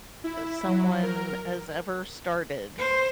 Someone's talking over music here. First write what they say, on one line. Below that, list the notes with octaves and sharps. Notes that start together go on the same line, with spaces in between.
uh, someone has ever started.
E4
F#3
A#4
C5